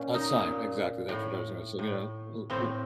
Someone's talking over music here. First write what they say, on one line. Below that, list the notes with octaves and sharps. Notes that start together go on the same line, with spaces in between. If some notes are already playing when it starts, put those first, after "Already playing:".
A sign, exactly. That's what I was gonna say, you know.
Already playing: A#2 C#4
D#4
A#2
A2
A2
A2 C4